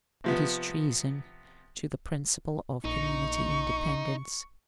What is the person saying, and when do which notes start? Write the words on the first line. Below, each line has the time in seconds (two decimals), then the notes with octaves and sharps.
It is treason to the principle of community independence.
0.24 C3 F3 B3
2.85 A#1 D#4 C#6